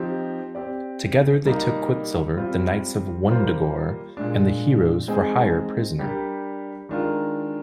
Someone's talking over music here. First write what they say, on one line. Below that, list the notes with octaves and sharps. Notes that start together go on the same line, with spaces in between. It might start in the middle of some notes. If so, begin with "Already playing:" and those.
Together they took Quicksilver, the Knights of Wundagore, and the Heroes for Hire prisoner.
Already playing: F3 C4 D#4 G4
C4 G4 D5
G3 A#3 D#4
G3 C4 F4
G3 A#3 F4 C5
A#2 G#3 D4
G#3 C4 D#4 G#4
G3 D4 G4 A#4
D#3 G#3 D4 F4 A#4